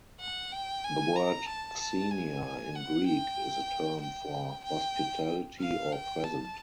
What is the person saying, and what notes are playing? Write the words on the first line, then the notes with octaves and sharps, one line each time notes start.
The word Xenia in Greek is a term for hospitality or present.
F#5
G5
G#5
A#5
A5
A5
G#5
F#5
G5
G5
G5
F5
G5
A5